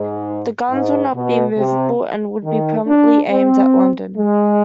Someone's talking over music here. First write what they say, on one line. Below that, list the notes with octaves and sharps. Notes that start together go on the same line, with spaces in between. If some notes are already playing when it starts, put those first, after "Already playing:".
The guns would not be movable and would be permanently aimed at London.
Already playing: G#2
G#2
B2
C3
D#3
D4
C4
G#3